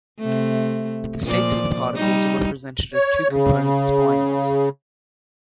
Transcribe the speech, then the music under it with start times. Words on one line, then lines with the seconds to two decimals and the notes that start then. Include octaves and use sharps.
The states of the particles are represented as two-component spinors.
0.19 C3 A3
1.25 A#2 F3 D5
1.95 G3 D#4
2.94 C#5
3.29 C#3